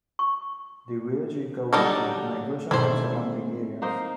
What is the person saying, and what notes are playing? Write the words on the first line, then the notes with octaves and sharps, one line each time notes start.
The village recovered through migration from surrounding areas.
C#6
D3 F#3 G3 D#4 A4 G5
G#2 B2 D#3 A3 C4 E4 C5
A#3 D#4 C5